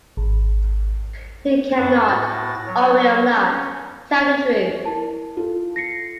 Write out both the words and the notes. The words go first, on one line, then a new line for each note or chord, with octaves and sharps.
He cannot, or will not, tell the truth.
G#1
F#2 B3 B4 F#5 A5
A2 F#4 A6 A#6
F#3 C#5
C#4
E4 A#4 A5
F4 A4
A#6 C7 C#7